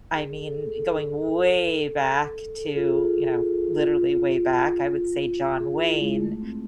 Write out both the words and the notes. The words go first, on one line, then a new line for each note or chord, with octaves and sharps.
I mean, going way back to, you know, literally way back, I would say John Wayne
G#4
A4
A4
A4
G#4
F4
G#4
F4
G#4
E4
G#3
A3
C4